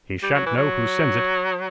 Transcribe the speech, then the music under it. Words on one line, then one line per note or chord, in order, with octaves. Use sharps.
'He shan't know who sends it.
G3
F#3
E3
F#3